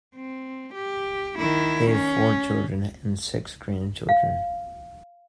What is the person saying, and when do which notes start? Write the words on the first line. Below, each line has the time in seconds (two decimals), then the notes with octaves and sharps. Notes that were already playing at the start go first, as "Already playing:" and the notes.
They have four children and six grandchildren.
0.16 C4
0.75 G4
1.39 D#3 E4
1.91 C#4
4.09 F5